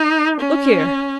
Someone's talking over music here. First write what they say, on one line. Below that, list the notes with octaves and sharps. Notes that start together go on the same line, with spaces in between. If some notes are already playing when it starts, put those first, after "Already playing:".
Look here!
Already playing: D#4
C#4